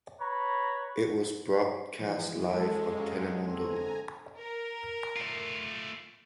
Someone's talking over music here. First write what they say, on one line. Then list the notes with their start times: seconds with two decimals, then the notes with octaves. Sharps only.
It was broadcast live on Telemundo.
0.20 B4 C#5 A#5 B5
1.99 E3 F3 G#3 E4
2.47 A4 E5
2.97 F2 F#3 C#4 G4 F5
3.45 G1 D3 C4 G#5 A#5
4.39 A#4
5.16 A3 F4